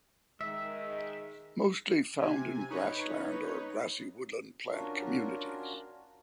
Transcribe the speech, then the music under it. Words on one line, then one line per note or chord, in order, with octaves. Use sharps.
Mostly found in grassland or grassy woodland plant communities.
D#3 G#3 E5
C3 G#5
D#4 B4 C#5
C#4 D4 F4 F#4 A#4